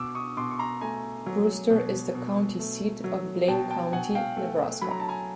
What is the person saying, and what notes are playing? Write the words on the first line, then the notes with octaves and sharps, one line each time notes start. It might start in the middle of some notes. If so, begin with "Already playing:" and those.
Brewster is the county seat of Blaine County, Nebraska.
Already playing: B2 D6 E6
C#6 D#6
B2 C6 D6
C#6
A#5 C6
A3 G#5 A#5
F#3
B2
B2
A3
F#3
B2 G5 A5
G5 A5
B2 F#5 G#5
F5 G5
A3
F#3 B5
A#5
A5
G#5 A#5